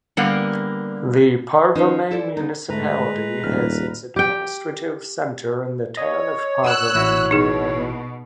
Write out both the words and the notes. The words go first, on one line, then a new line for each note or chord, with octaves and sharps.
The Parvomay Municipality has its administrative centre in the town of Parvomay.
D3 G3 A#3 B3 A#4
D#3 C#4 D#4 B4 C5
E4 A4 C5 D5
B3 D#4
G#2 D3 G#3 A3 B4 A#5
D#1 A2 F6
G4 G5
C#5 D#5
F#5 E6 F#6
A1 E4 F#4
B2 D#4 G#4